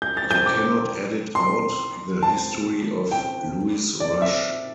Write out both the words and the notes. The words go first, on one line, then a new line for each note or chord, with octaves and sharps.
You cannot edit out the history of Louis Rush.
G6
A6
G6
D6
C6
A5
G5
D5
E5